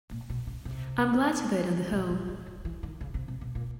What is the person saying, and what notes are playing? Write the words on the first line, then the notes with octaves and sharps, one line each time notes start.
I am glad of it on the whole.
A#2
B2
C#3
C3
B2
A#2
E3
F3
E3
D#3
C#3
C3
C3
B2
A#2